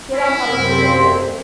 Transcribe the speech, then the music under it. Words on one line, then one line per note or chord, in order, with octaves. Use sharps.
get on top of the dishes,
E4
F#2 C3 C4 A#4 F6
C5 F5 C6